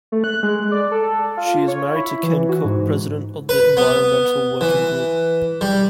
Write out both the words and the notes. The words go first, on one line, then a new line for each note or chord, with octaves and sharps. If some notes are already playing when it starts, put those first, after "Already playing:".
She is married to Ken Cook, president of the Environmental Working Group.
A3
F#6
G#3
D5
A4
F4
C#5
E4
E3
F#4
G#2
B4
B3
E3
G3